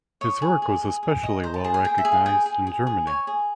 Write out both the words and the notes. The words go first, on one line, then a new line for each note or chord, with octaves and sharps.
His work was especially well-recognized in Germany.
C#5 D#6
G#4
G#4
G#4
G#4
D#5
C5 A#5
A5
G#4 A5
G#5
G#4 G5
E5
G#4
F5
G#4 G5
G#4
G#4
G#4
C#5 G#5
G#4